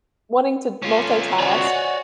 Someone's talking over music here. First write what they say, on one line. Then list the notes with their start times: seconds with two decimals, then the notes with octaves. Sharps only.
wanting to multitask,
0.82 C#4 F4
1.40 F#4 C#5 D5 G#5